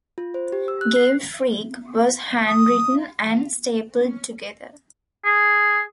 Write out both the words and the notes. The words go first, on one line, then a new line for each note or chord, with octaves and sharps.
"Game Freak" was handwritten and stapled together.
F4
C5
G4
E6
F#6
C7
D#6
G#4